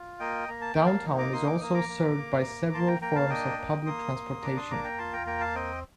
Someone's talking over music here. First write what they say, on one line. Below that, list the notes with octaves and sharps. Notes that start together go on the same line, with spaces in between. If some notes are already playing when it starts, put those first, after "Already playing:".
Downtown is also served by several forms of public transportation.
Already playing: F4
A#3 D#5 G5
A#3 A#5
A5
A#3 G5
F5 A5
D#4
A#5 D6
A#3 C6 D#6
D6
A#3 D#6
A#5 D6
A#3
A#3
A#3
A#3 A5 C6
G5 A#5
A#3 G5 A#5
F5 A5
D4 D#5 G5
A#3
A#3 C6 D#6
A#3
D4 A#5 D6
C6 D#6
A#3 A#5 D6
G5 A#5
F4 A5 C6
G5 A#5
A#3 G5 A#5
F5 A5
C4 D#5 G5